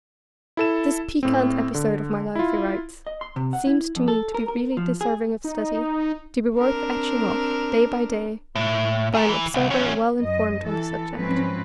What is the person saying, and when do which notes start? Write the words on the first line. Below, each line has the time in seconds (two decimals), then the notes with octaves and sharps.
"This piquant episode of my life," he writes, "seems to me to be really deserving of study; to be worth etching off, day by day, by an observer well informed on the subject."
0.57 E4 A4 E7
1.23 A2 C4
1.74 D3
2.35 E4 F4
3.07 D#5
3.21 C6
3.36 C3
3.53 F#5
3.67 E4
3.96 F2
4.08 A4
4.34 A#4
4.48 A#4
4.77 F3
5.01 G#4
5.44 D#4
6.57 C4 D4 A#4
8.55 A2
9.15 G#4 A#4
9.29 E3
9.54 C2
9.70 E2 C#4
10.20 F#2 D#5
10.66 E3 A4
11.12 G#2 F3 F#3 C4 C#4 B4